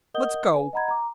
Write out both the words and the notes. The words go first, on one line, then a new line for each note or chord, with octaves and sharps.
"Let's go."
A#4 D#5 F#5 D#6 G6 G7
B4 G#5
D#5 F#5 A#5 B5 G#6
A#5 D6